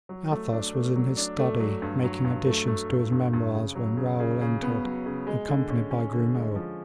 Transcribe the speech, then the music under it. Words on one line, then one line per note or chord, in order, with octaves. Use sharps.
Athos was in his study, making additions to his memoirs, when Raoul entered, accompanied by Grimaud.
F#3
A3
D4
A3
F#3
D4
A3
F#3
G2
F#3
G2
A3
A3
G2
G2
G2
C#3
F#3
C#3
C#3
C#3
B3
F#3
C#3
G#3
D3
C#4
C#4
D3
G#3
F3